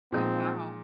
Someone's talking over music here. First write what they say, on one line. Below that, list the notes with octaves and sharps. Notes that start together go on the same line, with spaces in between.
Oh wow.
A#2 F3 G#3 C4 D#4